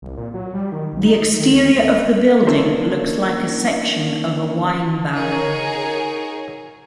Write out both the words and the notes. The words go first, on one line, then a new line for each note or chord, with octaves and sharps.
The exterior of the building looks like a section of a wine barrel.
C2
A#2
F#3
G3
D#3
B1
D#4
D#3
D2
A3
A#3 C#4 D4 E4 A#4 C5
D#4 F#4 G#4 A#4 C#5